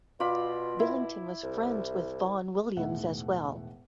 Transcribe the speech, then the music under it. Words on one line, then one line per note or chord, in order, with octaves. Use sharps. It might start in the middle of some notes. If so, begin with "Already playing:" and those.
Billington was friends with Vaughan Williams as well.
B2 F4 D5 B5
E4
C2
E1 A2 D#3 E5 F#5